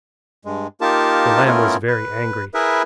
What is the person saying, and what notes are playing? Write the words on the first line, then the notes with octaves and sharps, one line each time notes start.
The lamb was very angry.
G2 G#3
A#3 D#4 F4 G4 A#4 A5
A3 B3 C#4 E4 F4 A#4
B4
E4 G#4 A#4 B4 E5